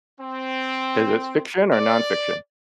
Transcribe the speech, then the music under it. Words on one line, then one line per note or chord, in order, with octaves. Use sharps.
Is this fiction or nonfiction?
C4
D5